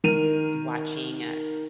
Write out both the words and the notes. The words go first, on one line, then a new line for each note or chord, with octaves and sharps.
watching, uh,
D#3 A#4 D#7 F7